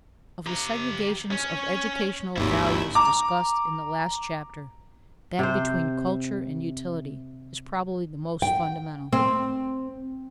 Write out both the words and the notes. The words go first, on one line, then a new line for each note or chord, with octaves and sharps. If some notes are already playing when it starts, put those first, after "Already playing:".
Of the segregations of educational values discussed in the last chapter, that between culture and utility is probably the most fundamental.
G4 A#5
C#4
G#1 D#2 E4 G4
A#5 D6
C3 C5
G5
C4